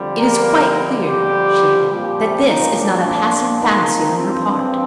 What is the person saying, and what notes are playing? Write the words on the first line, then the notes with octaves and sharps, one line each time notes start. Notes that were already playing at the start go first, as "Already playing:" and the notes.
"It is quite clear," she added, "that this is not a passing fancy on her part."
Already playing: F2 D3 G3
A#3 A#4
G3 G4
A#2 F3 G3 C4 G4
D#3 D#4
D4
D4
D#3 D#4
G2 F3 C4
D4